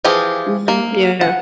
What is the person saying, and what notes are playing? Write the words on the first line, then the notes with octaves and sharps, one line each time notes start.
Mhm. Yeah.
E3 F3 F4 G4 G#4
A#3
F#5